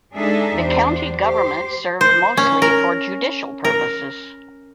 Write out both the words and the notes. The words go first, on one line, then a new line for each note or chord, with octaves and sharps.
The county government served mostly for judicial purposes.
G#3 D4 D#4 G#4 A4 E5
E2 D4 G4 C5
G4 C5
C5
C#4
A#4
A#4